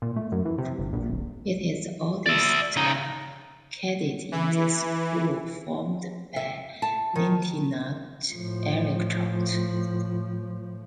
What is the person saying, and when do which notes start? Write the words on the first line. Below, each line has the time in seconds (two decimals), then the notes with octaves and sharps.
It is the oldest cadet in this school formed by Lieutenant Eric Chart.
0.02 A#2
0.16 A3
0.32 F#2
0.45 E3
0.58 C3
0.79 G1
0.93 A#1
1.10 D1
2.26 D5 E5
2.76 C#3 D#4
4.32 E3
6.36 E5
6.82 A5
7.15 D#3
8.31 A2 F3